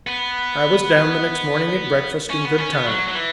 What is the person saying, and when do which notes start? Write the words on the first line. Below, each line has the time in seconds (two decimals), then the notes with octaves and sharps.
I was down the next morning at breakfast in good time.
0.07 B3
2.30 C#4
2.45 B3
2.59 C#4
2.73 B3
2.87 F#3
3.08 F#3
3.15 E3